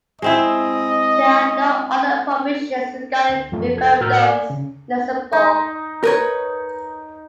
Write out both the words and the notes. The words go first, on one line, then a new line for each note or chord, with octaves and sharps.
There are no other provisions regarding referendums in Luxembourg.
G#3 C4 E4 D#5
D2
F#2 F3 A3 F4
C2 F2 A4 G#6
A2 F#4 A#4 E6 F6 G6
D5 G#5
C#3
D#4
A#4 B4 C#5